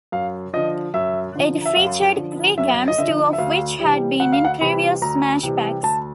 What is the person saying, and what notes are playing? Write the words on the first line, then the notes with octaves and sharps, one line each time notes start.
It featured three games, two of which had been in previous Smash Packs.
F#2 F5
D3 F3 D#5
F#2 E5
D3 F3
E5
F#2 F5
D3 F3
F#2 E5
D#5
D3 F3 E5
E5
D2 F5
C3 E3 G3
D2 F#5
F5
F#5
C3 E3 G3 B5
D2 A#5
C3 E3 G3
D2 A5